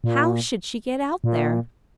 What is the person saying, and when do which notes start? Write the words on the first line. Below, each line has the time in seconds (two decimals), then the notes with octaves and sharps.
How should she get out there?
0.04 A#2
1.24 A#2